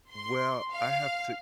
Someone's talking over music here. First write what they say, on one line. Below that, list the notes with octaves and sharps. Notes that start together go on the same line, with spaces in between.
Well, I have to
C6
F5